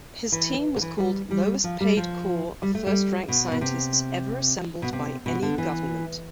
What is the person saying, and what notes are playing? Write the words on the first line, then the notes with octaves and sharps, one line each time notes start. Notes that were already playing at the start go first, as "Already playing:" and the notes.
His team was called lowest-paid corps of first-rank scientists ever assembled by any government.
E3
D3
E3
G3
G3
F3
G3
F3
G3
A3
G3
B2
B2
C3
B2
C3
B2
D3
E3